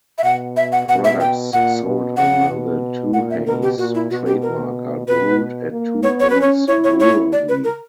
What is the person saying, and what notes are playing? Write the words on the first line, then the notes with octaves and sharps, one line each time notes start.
Products sold under the Tooheys trademark are brewed at Tooheys Brewery.
E5
B2 F#5
E5
F#5
B2 F#5
E5
G5
A#2 F#5
B2
C#3 F#5
B2
A#2 F#5
E5
B2 A#4
G4
A#2 F#4
E4
B2 F#4
G4
A#4
B2 B4
A#3
B3 C#5
C#5
B4
C#4
C#5
E4 C#5
C#5
C#5
D5
B4
A#4